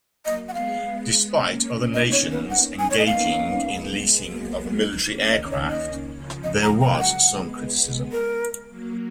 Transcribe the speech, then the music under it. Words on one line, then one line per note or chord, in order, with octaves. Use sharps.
Despite other nations engaging in leasing of military aircraft, there was some criticism.
F#3 A#3 D#5
F#5
G#3 B3 F5
A#3 C#4
B3 D#4 D#5
C#5
B3 D#4
B4
A#3 C#4 F#5
B3 D#4 G#5
C#5
D#5
A#3 C#4 F5
A#3 C#4
G#3 B3
F#3 A#3
F#3 A#3
B3 D#4
A#3 C#4
D#3 D#5
C#5
D#3
D#5
C#3
C#3 F3
F3 G#3 D#5
A#5
A#5
F#3 A#3 F#5
G#3 B3
A#4
F#3 A#3